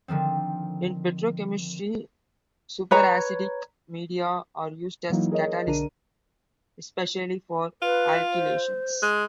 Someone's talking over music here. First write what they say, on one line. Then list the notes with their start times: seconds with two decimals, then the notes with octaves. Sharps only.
In petrochemistry, superacidic media are used as catalysts, especially for alkylations.
0.08 D3 D#3 F3 C4
2.91 B4 C#5 A#5
5.10 E3 F#3 A#3 D#4 E4
5.31 G#4 A#4 C#5 D#5
5.67 B1 D3 D4 A#4 A#5 D#7
7.82 F4 B4
8.32 C5
9.02 G#3